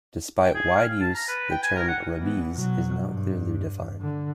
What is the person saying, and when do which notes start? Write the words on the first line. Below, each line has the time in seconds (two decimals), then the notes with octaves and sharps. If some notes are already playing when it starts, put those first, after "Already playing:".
Despite wide use the term Rabiz is not clearly defined.
0.43 G5
0.55 G#4
0.75 F5
0.88 F5
1.01 A5
1.14 A#5
1.28 B4
1.51 G5
1.63 G#5
1.76 A#4
1.88 F#5
2.18 E3 B3
2.54 B2 F#3
3.06 G2
4.00 D3